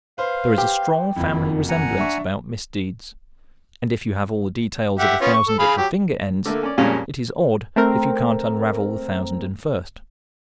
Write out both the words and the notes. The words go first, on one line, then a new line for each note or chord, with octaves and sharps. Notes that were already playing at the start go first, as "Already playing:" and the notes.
There is a strong family resemblance about misdeeds, and if you have all the details of a thousand at your finger ends, it is odd if you can't unravel the thousand and first.
B4 C5 F5
G4
F#1 F2 E4
F#5 G#5 A#5
D4 E5 C#6
G4 E5 F#5
B3 C#4 F4
C#6
A4
G#4 F5 B5
F#3 G4
D3 A3 A#3
C#4 D5
F2 A#2 G3 G#3 C#4
A3 C4 A#4